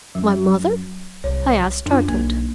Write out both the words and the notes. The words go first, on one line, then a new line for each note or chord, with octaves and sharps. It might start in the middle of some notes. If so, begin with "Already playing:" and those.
"My mother?" I asked, startled.
F#2 F#3
C2 C#5
F#2 D4 F4
B1 A#3